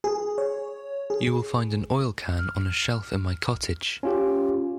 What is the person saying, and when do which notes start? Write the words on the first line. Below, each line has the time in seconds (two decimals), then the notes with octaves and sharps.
You will find an oil-can on a shelf in my cottage.
0.04 G#4
0.38 C#5
1.10 G#4
2.39 F6
4.03 C#4 F4 G4